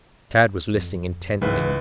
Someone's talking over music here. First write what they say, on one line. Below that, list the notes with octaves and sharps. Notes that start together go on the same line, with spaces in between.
Tad was listening intently.
F2
C#2 G#2 E3 B4 E5